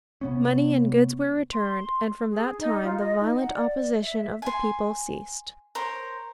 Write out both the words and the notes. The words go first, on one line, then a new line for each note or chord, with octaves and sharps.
Money and goods were returned, and from that time the violent opposition of the people ceased.
C3 B3 C#4
C6
G#4
D#4
F4
D#5
D#4
F#5
D5
E5
G#5 C6
A#4 C5 C#5